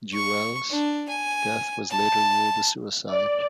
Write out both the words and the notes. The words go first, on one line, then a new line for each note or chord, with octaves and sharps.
Deuel's death was later ruled a suicide.
C#6
D4
G#5
A5
D5